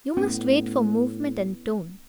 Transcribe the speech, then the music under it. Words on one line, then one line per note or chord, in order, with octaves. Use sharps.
You must wait for movement and tone.
A2 B3 C#4